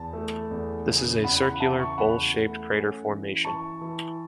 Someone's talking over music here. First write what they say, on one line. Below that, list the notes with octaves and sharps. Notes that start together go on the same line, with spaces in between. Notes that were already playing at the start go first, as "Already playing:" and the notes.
This is a circular, bowl-shaped crater formation.
Already playing: E2 A5
A3
E2
C#3
E2 F#5 B5
F#5 B5
C#3 E5 A5
A5 C#6
E2 F#5 B5
A3
C#4
E3
E3 A5 C#6
E3